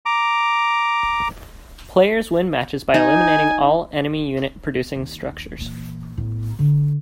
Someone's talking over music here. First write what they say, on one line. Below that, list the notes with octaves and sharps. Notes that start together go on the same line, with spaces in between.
Players win matches by eliminating all enemy unit producing structures.
A#5 D6
D#4 G#5
D#2
A#2 E3
A2 B3
D3